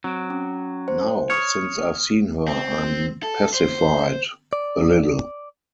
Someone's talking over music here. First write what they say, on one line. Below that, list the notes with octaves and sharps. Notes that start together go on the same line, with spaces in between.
Now, since I’ve seen her, I’m pacified — a little.
F#3 C4 D7
C#4
C5
C#5 C#6 D#6 F6
C4
A4
C5
D5